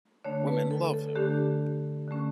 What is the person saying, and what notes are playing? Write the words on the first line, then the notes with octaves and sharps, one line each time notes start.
Women Love Him!
D3 A3 D4 C#5
B4
A4
A4
D3 A3 D4 G4
D3 A3 C#4